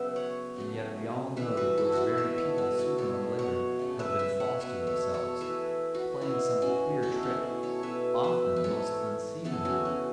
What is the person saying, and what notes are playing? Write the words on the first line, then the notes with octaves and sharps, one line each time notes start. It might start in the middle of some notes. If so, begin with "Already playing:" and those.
And yet we all know that those very people sooner or later have been false to themselves, playing some queer trick, often a most unseemly one.
Already playing: C#3 F#3 B3 B4 E5
C#5 F#5
C#3 F#3 A3
E3 A3 B4 E5
F#4 B4
E4 A4
E4 F#4 A4
B2 A3 B4 E5
A4 C#5
F#4 B4
E4 A4
B2 A3 A4 C#5
C#5 F#5
C#3 A3
B4 E5
B4 E5
C#5 F#5
B2 A3 B4 E5
A4 C#5
A4 C#5
E3 A3 B4 E5
F#4 B4
B2 B3 E4
C#4 F#4
B2 A3 E4 A4
C#4 F#4
E4
A4 C#5
B2 B3 B4 E5
B4 E5
B4
E3 A3 A4 C#5
C#3 E3 B3 E4 A4
C#4 F#4
C#4